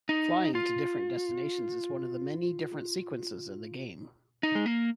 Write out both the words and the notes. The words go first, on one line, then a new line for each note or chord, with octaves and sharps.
Flying to different destinations is one of the many different sequences in the game.
D#4
F4
D#4
G#3
A#3